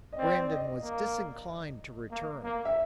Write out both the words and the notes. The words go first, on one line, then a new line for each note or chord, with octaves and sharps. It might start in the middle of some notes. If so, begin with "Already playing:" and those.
Brandon was disinclined to return.
D#5
C4 D5
D5
D#5
A#3
A#3
A#3
E5